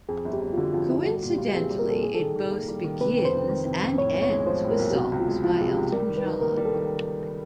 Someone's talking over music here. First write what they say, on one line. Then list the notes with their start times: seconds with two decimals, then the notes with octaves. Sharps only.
Coincidentally, it both begins and ends with songs by Elton John.
0.09 F2 G#4
0.25 G1
0.33 G4
0.41 G1
0.53 F4
0.57 D3 F#4
0.74 F2 F4
0.90 G1 E4
1.06 G3 F#4
1.22 A#2
1.30 G4
1.38 F4
1.50 G4
1.55 C4 G#4
1.70 G3
1.79 A#4
1.88 A#2 A4
2.03 G3 G#4
2.15 D#3 A4
2.36 D#3
2.52 A#3
2.68 G3
2.84 D#3
3.00 C3 B4
3.17 F2
3.25 C5
3.33 F2
3.49 D#3
3.66 C3
3.82 F2
3.97 A2 C#5
4.14 B1
4.22 C#5
4.30 G#3
4.46 F3 C5
4.63 A2
4.71 A#4
4.79 B1
4.90 G4
4.95 C3 F#4
5.12 C#2
5.20 F4
5.28 G#3
5.44 F3 F4
5.60 C3 G#4
5.69 G4
5.76 C#2
5.92 G3 A#4
6.09 D#3
6.17 B4
6.25 D#4
6.41 A#3 A#4
6.57 G3
6.65 A4
6.74 D#3